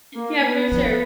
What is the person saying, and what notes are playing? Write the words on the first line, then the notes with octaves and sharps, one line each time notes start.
yeah, for sure.
A#3
B3
F3